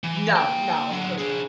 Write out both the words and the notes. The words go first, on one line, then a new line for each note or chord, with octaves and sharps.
No, no, of course not.
E3
A#3 G5
D3 F#3
D4 G#4